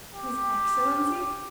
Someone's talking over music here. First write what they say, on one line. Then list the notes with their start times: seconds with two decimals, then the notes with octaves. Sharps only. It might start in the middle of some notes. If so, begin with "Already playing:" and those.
'His excellency!
0.14 G4